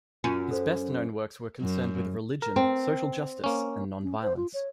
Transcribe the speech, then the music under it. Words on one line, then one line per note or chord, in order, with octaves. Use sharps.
His best-known works were concerned with religion, social justice and nonviolence.
F#2 C#4 F4
A4 C5
F#2
A#4
C4
A#3 C#4
C#4
C5
F4
C#5